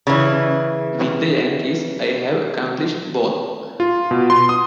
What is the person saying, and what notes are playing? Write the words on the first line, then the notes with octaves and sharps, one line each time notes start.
With the Yankees I have accomplished both.
C#3 E3
F4
B2
C6
D#6